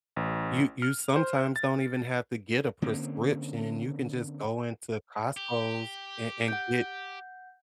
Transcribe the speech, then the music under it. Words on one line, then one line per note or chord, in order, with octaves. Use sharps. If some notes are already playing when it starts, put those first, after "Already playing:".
You you sometimes don't even have to get a prescription. You can just go into Costco's and and get
A1
F6
C5
A6
D3 A#3 C4 C#4
G4
F#5 G6